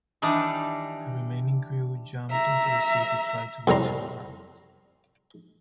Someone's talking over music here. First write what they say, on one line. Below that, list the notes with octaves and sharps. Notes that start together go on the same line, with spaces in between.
Her remaining crew jumped into the sea to try to reach her rafts.
D#3 E3 G3 D4 D#4
E5 A#5
C2 A2 G3 A#5 C6